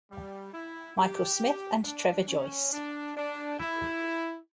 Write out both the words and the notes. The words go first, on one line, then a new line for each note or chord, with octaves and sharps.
Michael Smith and Trevor Joyce.
G3
E4
G4
D4
C#4
D4
D4
E4